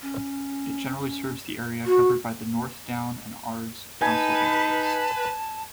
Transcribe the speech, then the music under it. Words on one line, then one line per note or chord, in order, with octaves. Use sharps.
It generally serves the area covered by the North Down and Ards council areas.
C#4
F#4
D#4 B4 G#5 A5